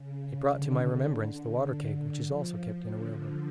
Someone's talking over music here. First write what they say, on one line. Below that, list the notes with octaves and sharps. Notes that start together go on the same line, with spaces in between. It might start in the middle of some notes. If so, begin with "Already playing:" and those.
It brought to my remembrance the water-keg which is also kept in a whale-boat.
Already playing: C#3
D3
F3
D3